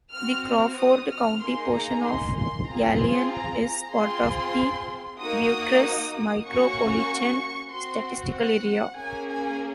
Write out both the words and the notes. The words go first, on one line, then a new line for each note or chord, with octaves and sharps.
The Crawford County portion of Galion is part of the Bucyrus Micropolitan Statistical Area.
C4 F#4 F6
F6
D#6
F6
A#3 D#4 G#4 C6
A#5
C6
C6
C4 F4 G#4 A#5
C6
A#5
A#5
C4 F4 G#4 C6
A#3 D#4 F#4 D#6
A#3 C#4 F#4 C#6
C4 F#4 C6
F#5
A#3 C#4 G#4 G#5
G#5